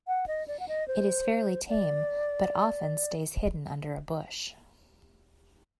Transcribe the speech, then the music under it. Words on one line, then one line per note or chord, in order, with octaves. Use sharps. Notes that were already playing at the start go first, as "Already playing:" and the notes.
It is fairly tame, but often stays hidden under a bush.
F#5
D#5
D5
F#5
D#5
C5
D5